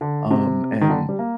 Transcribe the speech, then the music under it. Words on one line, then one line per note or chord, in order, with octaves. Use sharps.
Um, and,
D3
C3
D#3
D3
G3
A#3